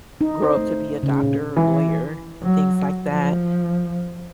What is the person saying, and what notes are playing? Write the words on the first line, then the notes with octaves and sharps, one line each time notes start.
grow up to be a doctor or lawyer and things like that,
D#4
C5
A3
C#3
A#2
E3
F#3
F3